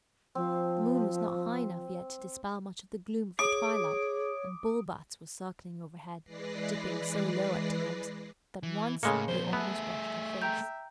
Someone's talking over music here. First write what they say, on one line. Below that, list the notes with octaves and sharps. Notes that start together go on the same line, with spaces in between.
The moon was not high enough yet to dispel much of the gloom of the twilight, and bullbats were circling overhead, dipping so low at times that once they almost brushed her face.
F3 C4
G#4 C#5 D6 D#6
E3 G#3 B4 D5 A#6 C7
E3
A2 C#3 G#3 A#3 A4 C#7
F2 A#2 C5
A3 B3 G#4 E5 A5
E5 G5 A#5 G6